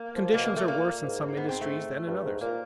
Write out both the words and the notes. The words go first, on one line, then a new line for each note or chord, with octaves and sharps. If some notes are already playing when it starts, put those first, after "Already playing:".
Conditions are worse in some industries than in others.
Already playing: A#3
F3
B2 A#3
A#3
A#2
A3
A#3
G#2
B3
C4
A3
G2
G#2
A#2 A#3